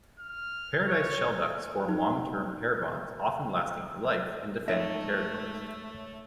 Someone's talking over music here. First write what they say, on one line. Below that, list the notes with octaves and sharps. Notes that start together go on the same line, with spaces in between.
Paradise shelducks form long-term pair bonds, often lasting for life, and defend territories.
F6
C#5
D#4
G#2 G#3 A3 D#4 C#5 E5 A#6